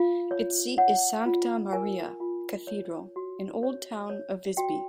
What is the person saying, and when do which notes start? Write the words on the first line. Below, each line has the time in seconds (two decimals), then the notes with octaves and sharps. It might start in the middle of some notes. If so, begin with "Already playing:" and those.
Its seat is Sankta Maria cathedral in old town of Visby.
Already playing: F4 F5
0.31 C#5
0.78 C#5 F#5
1.26 F4
1.73 A#4 G#5
2.20 F4
2.67 C#5
3.16 F#4
3.63 C#5
4.10 C#5
4.57 F#4 G5